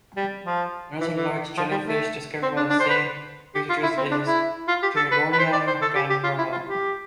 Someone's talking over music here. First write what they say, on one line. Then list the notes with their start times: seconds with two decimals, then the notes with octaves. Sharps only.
Another large jellyfish discovered by the same researchers is "Tiburonia granrojo".
0.17 G3
0.45 F3
1.01 E3
1.16 E3
1.57 F3
1.71 G3
1.86 A3
2.43 C4
2.57 D4
2.70 D4
2.80 C5
2.90 B4
3.55 G4
3.69 F4
3.83 E4
3.98 C4
4.11 D4
4.26 E4
4.68 F4
4.83 G4
4.96 A4
5.11 B4
5.33 B4
5.39 C5
5.53 D5
5.67 C5
5.82 A4
5.95 G4
6.10 G4
6.24 F4
6.38 E4
6.52 F4
6.66 G4